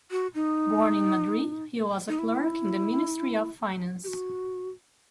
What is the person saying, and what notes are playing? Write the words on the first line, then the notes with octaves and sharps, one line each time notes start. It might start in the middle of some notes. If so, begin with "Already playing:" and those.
Born in Madrid, he was a clerk in the ministry of finance.
F#4
D#4
D#4
E4
G4
F#4